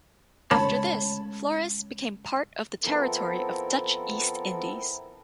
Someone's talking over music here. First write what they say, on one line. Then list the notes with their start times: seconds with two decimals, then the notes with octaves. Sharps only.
After this, Flores became part of the territory of Dutch East Indies.
0.51 C#3 G#3 A3 C#5 A5 B5
2.83 F3 B3 C4 E4 A4 A#4